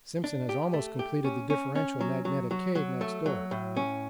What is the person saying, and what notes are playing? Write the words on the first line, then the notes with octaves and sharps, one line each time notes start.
Simpson has almost completed the differential magnetic cave next door.
D4
G4
A3
G4
C#4
C#4
C#4
F#3
F#3
F#3
F#3
A3
F#3
A2
C#4